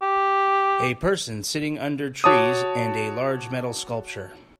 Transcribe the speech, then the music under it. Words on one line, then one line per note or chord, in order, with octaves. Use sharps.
A person sitting under trees and a large metal sculpture.
G4
F#4 C#5 A5 D6 D#6